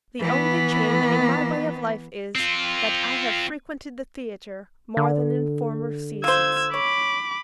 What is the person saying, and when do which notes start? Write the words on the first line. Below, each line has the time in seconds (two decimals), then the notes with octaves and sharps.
The only change in my way of life is, that I have frequented the theatre more than in former seasons.
0.20 E3 B3
2.35 C4 F4
4.97 D3
6.24 F4 C5 E6 G#6
6.74 C#5 B5 D6